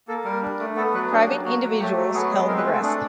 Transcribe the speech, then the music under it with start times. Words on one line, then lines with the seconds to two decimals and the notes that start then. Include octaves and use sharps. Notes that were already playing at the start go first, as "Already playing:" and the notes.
Private individuals held the rest.
0.08 A#3 A4
0.25 G3 A#4
0.42 D4
0.60 A3
0.76 B3 A4
0.94 F#3 B4
1.11 D4 G#4
1.28 A#3 G4
1.45 A#3 F#4
1.62 F#3
1.79 A3 G4
1.97 F#3
2.14 B3 G#4
2.31 G#3 G#4
2.48 C4 A#4
2.57 B4
2.65 A3
2.74 A4
2.83 D4 G#4